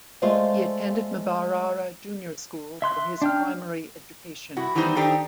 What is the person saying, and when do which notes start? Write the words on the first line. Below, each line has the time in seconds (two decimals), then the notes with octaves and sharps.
He attended Mbarara Junior School for his primary education.
0.22 G#3 A3 F4 C5 D5 F5
2.82 E5 C6 F#6
3.22 D4 G5 F6
4.56 G2 E4 F#4
4.75 D#3 E3 G3 B3 D#4 C5
4.95 D#3 D4 D#4 G4 A4 C5